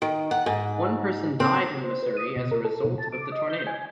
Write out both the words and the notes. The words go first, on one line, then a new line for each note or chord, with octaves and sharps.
One person died in Masury as a result of the tornado.
D#3
F#5
G#2
C4
C5
B4
D#6
B2
A#4
A4
B2
A5
D6
D#5
G6
G#5